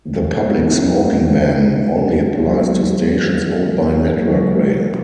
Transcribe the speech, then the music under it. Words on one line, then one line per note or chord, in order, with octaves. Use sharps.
The public smoking ban only applies to stations owned by Network Rail.
G#3
G#3 B3
B3 D#4
C#4 E4
B3 D#4
A#3 C#4
G#3 B3
F#3 A#3
G#3 B3
F#3 A#3
D#3
E3
F#3 A#3
F#3 A#3
G#3
F#3
E3